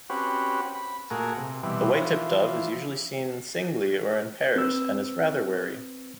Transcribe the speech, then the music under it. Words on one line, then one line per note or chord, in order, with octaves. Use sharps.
The white-tipped dove is usually seen singly or in pairs, and is rather wary.
C4 C#4 F#4 G4 B4
B5
A#2 A3 F#4 G#4 A#4
C3
B2 E3 G3 C4
E3 F3
C4 B4 E6